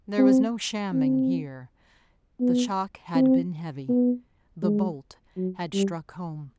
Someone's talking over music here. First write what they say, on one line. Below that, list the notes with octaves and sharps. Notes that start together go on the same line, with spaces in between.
There was no shamming here--the shock had been heavy--the bolt had struck home.
C4
C4
B3
C4
B3
G#3
F#3
G3